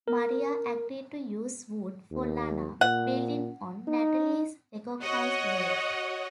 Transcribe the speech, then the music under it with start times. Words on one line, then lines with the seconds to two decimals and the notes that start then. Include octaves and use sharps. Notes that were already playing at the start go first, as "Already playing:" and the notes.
Maria agreed to use "Wood" for Lana, building on Natalie's recognized work.
0.08 A#4
2.11 D#2
2.81 A#2 F#5
3.88 D#4
5.01 F#4 C#5 D#5 F#5